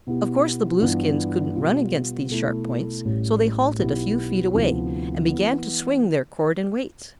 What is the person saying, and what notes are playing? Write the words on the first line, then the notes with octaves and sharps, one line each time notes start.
Of course the Blueskins couldn't run against these sharp points, so they halted a few feet away and began to swing their cord-and-weights.
B2 B3 E4 G4
G2 E3 B3 D4 F4
B2 G3 B3 F4
B2 A3 E4
A1 A2 G3
B1 B2 B3 E4 G4
D2 C3 F3 B3 E4
E3 B3 E4